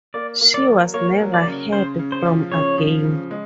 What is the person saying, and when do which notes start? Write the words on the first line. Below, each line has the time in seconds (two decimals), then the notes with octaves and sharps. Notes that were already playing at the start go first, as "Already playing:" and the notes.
She was never heard from again.
0.14 A#3 D5
0.41 A#3
0.54 D5
0.67 F#3
0.94 A#3 C#5
1.20 F#3
1.34 D5
1.46 C#3
1.72 C#3 C5
1.99 C#3
2.12 C5
2.25 F3
2.51 C#3 C#5
2.78 F3
3.04 C#3
3.31 G#3